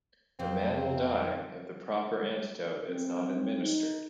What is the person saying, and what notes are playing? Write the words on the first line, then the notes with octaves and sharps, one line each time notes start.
The man will die if the proper antidote is not administered.
F2 C4
C4
D#4